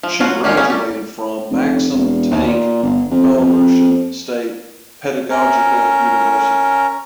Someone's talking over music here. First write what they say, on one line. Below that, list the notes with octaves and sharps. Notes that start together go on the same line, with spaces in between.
She graduated from Maxim Tank Belarusian State Pedagogical University.
F3
F#3 F4 F#4
G3 A#3 C#4 D#4 F4
B3 C#4
G3
F1
E1
D#2
A#2
G1
F2
F2
C#4 A#4